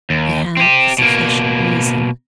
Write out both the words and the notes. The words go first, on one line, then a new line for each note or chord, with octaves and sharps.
We have the sufficient reason.
D#2
C4 G4
B2 A#3